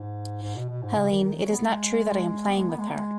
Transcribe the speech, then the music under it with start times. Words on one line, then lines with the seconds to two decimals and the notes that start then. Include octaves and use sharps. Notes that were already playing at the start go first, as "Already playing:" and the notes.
Helene, it is not true that I am playing with her.
Already playing: G#2
0.42 G#2
0.56 B2
0.70 B2
0.83 G#2
0.96 C#3
1.11 D#3
1.23 D#3
1.38 F#3
1.52 B3
1.66 G#3
2.48 B3
2.58 G#3
2.69 B3
2.78 G#3
2.88 B3
2.96 G#3